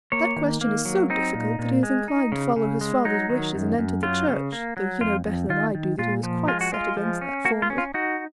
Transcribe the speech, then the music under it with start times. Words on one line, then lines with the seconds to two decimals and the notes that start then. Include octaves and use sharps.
That question is so difficult that he is inclined to follow his father's wishes and enter the Church, though you know better than I do that he was quite set against that formerly.
0.12 A#3 C#5
0.36 D#3
0.61 A#3
0.85 F#3
1.10 C4 D#4
1.34 A#2
1.59 A#2
1.83 G#3
2.08 D#4
2.32 C#3
2.56 C#3
2.81 G#3
3.05 F#3 D#4
3.29 D#3
3.55 F#2
3.78 F#2
4.03 F#3 F4
4.28 C#3
4.52 A#3
4.77 F#3
5.01 F2 F4
5.25 F2
5.49 D#3 F4
5.75 D#3
5.99 A#2 F4
6.23 F3
6.48 G#3 F4
6.61 F#4
6.72 G#3 F4
6.97 F3
7.21 C#4
7.45 A#3 F#4
7.62 F4
7.70 C#4
7.78 F4
7.94 D#4 F#4